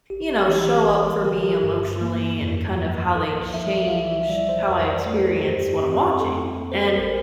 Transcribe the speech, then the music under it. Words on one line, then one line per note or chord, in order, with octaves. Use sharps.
you know, show up for me emotionally, and kind of how they change how I experience what I'm watching. And,
A1 G4
E3 G4
G1 A4
A#4
D3 G4
G4
G2
A#3
F2
F3
C2 A4
F3 E5
F5
C2 E5
E5
E5
G3 D5
C5
C5
F2 A#4
D5
A3 C5
A4
A4
G2 G4
C4
F2 A4
A#3
C5
A4
A1 A#4